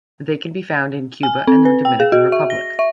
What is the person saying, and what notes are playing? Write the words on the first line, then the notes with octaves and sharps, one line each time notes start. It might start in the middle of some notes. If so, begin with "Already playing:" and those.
They can be found in Cuba and the Dominican Republic.
G#5
C4
B4
G5
G#4
F#4
E5
A#6
E5